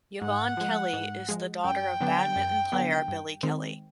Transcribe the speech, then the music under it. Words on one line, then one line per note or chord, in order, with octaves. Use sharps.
Yvonne Kelly is the daughter of badminton player Billy Kelly.
G#2 F#5
F3 G#3
G#2
F3 G#3
F#2 G5
D3 F#3 B3 D4
F#2
D3 F#3 B3 D4
G2
D#3 G#3 C4